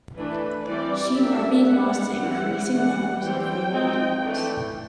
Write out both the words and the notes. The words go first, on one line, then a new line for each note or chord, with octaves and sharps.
Sheep are being lost to increasing numbers of feral dogs.
E3 A3 D4 B4
E3 G3 C4 D5
G3 A#3 D4 E5
G#3 B3 D4 F#5
E3 G3 C4 E4
E3 A3 D4 F#5
E3 G3 C4 G5
G#3 C4 D#4
E3 A3 D4